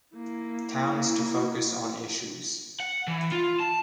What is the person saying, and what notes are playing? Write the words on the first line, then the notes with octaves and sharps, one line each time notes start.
Towns to focus on issues.
A#3 E4
F#5
E3
F4
A5